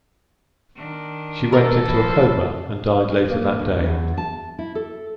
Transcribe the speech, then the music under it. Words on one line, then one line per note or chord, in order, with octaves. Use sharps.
She went into a coma and died later that day.
D#3 D4
A4 A#4
E3 F3 C5
A#3
D2
E2
A5
E4
A4